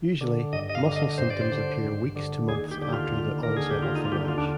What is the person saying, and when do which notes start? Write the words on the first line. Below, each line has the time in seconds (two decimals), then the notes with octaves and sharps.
Usually, muscle symptoms appear weeks to months after the onset of the rash.
0.21 D3
0.53 G2 D#5
0.70 D#5
0.75 F5
0.86 D3
0.96 D#5
1.18 G2 C5
1.30 D5
1.41 C5
1.52 D3
1.84 G2
2.16 D3
2.49 D#2 G#4
2.71 G4
2.81 D3 G4
2.93 F4
3.15 D#2
3.43 D3 A#4
3.57 G#4
3.71 G4
3.79 D#2 F4
3.96 D#4
4.05 F4
4.12 D3 G4
4.28 F4
4.38 D4